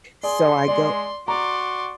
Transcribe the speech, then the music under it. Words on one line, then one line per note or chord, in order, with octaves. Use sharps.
So, I go
G#4 D5 C6
G#3 D5
F#4 D5 A#5 C6